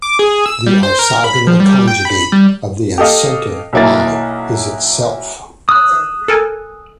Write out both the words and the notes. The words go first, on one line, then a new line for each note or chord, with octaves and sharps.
The isogonal conjugate of the incentre "I" is itself.
D6
G#4
E6
G3
C5
A#4
B5
F3
G3
G5
B5
G3
G4 A4 D#5 F5
B1 F#3 A#3 E4 A6
D#6 E6 F#6
A4 A#4 G#5